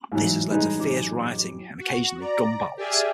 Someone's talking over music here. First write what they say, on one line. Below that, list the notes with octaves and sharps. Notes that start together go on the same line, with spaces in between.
This has led to fierce rioting and, occasionally, gun battles.
A1 G#2 E3 F#3
A1 G2 G#3 D#4 B4
A1 F#2 D6
F#4
D5 A#5
G4 G#4 D5 E5 G#5 F6